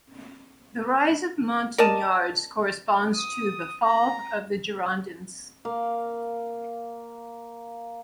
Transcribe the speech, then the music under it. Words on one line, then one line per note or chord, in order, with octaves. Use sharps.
The rise of Montagnards corresponds to the fall of the Girondins.
A#4 D5 D#5 A5
D#6
A#5
A#3 F5